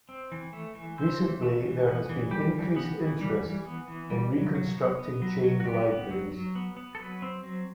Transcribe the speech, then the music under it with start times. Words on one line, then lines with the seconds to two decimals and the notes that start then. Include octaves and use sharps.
Recently, there has been increased interest in reconstructing chained libraries.
0.09 C4
0.32 E3
0.53 A3
0.75 E3
0.98 C4 C5
1.21 E3
1.42 A3
1.65 E3
1.87 B3
2.09 E3
2.31 G3 G4
2.54 E3
2.76 B3
2.99 E3
3.21 G3
3.43 E3
3.66 B3
3.88 E3
4.10 G3
4.32 F#3
4.55 F#3
4.77 B3
4.99 B3
5.22 F#3
5.43 F#3
5.60 F#4
5.65 B3 G4
5.88 B3
6.11 F#3
6.32 F#3
6.55 B3
6.77 B3
6.95 A4
6.99 F#3 B4
7.22 C4
7.44 F#3